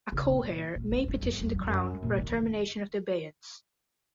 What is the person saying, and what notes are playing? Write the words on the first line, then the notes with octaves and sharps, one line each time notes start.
A co-heir may petition the Crown for a termination of the abeyance.
C#3
A#2
A#2
G#2
F2
F2
F#2
F2
F#2
A#2
D#3
D#3